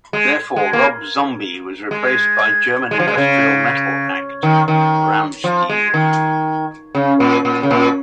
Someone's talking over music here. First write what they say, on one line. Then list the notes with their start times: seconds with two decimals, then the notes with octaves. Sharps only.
Therefore, Rob Zombie was replaced by German industrial metal act, Rammstein.
0.13 G#3
0.56 G#3
0.73 A#3
1.91 G#3
2.91 G#3
2.99 F3
3.07 G#3
3.17 C#3
4.43 D#3
4.68 D#3
5.44 F3
5.69 G#3
5.94 D#3
6.95 C#3
7.20 A#2
7.45 A#2
7.63 C#3
7.71 A#2